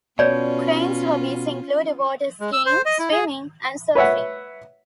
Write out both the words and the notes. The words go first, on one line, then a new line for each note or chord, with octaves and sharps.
Crane's hobbies include water skiing, swimming and surfing.
B2 C#4 F4 C#5 D5
G#3
E6
C5
D#5
E4
G#4
B4 C#5 E5 F#5